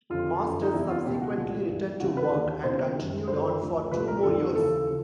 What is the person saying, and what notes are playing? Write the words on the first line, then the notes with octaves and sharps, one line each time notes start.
Masters subsequently returned to work and continued on for two more years.
F2 D3 F3 F4
F#2 D3 F3
D#4
E2 C3 E3 E4
F4
C#2 B2 G4
F#4
C2 A#2 F3
G2 E3
C#2 C3 E3 F#4
B4
D#3
D#2
C#2 B2 C5
F#2 D#3
F#2 D3 F3 C5
D2 D3 F3
C2 A#2 F3 B4
A#4
F2 D3 F3 A4
D#2 C#3 E3 A4
C#3 F3